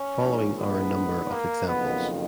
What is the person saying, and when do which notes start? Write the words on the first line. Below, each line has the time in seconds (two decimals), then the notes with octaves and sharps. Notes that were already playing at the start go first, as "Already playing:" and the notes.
Following are a number of examples.
Already playing: C#4
0.20 A#1 G#2 D#3
0.57 B3
1.31 A#3
1.68 F#1 F2 D#3 B3